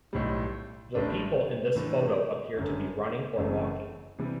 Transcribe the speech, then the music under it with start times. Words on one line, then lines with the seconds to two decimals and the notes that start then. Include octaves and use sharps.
The people in this photo appear to be running or walking.
0.13 B1 A2 G3
0.95 A1 A2 G3 D4
1.75 A2 E3 A3 D4
2.57 G1 F#2 D3
3.37 F#1 F#2 E3 A3 C4
4.19 C3 E3 G3